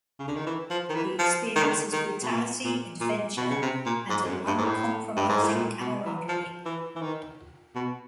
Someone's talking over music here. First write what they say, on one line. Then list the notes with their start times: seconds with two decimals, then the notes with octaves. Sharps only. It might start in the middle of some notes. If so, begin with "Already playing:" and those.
He experiences brutality, adventure, and an uncompromising camaraderie.
0.19 C#3
0.28 D3
0.36 D#3
0.47 E3
0.70 F3
0.90 D#3
0.95 E3
1.19 F3
1.56 D#3
1.63 D3
1.71 D#3
1.92 D#3
2.23 B2
2.28 A#2
2.65 A#2
3.01 A#2
3.37 B2
3.50 C#3
3.62 C3
3.86 A#2
4.10 G#2
4.25 F2
4.29 F#2
4.47 G2
4.58 G#2
4.65 A2
5.17 G2
5.29 G#2
5.43 A2
5.56 A#2
5.80 B2
6.05 E3
6.29 F3
6.66 E3
6.96 E3
7.02 D#3
7.75 B2